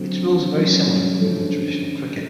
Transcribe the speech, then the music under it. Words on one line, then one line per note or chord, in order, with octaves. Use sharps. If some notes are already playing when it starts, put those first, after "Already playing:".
Its rules are very similar including the traditional cricket.
Already playing: D3 F#3 A3 C4
F#3 A3 C#4
D3 F3 A3 C#4